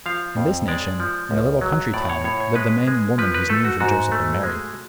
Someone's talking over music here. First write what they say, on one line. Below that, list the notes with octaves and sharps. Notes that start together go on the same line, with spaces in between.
In this nation, in a little country town, lived a man and a woman whose names were Joseph and Mary.
F3 F5
F2
G#3 D5
F3
C#2
F#3
A2 D5
C#5
A2 C#5
C#5
G#3 B4
G#3
F3 B4
B4
A3 A4
F#4
G#2 F#4
A3
G#3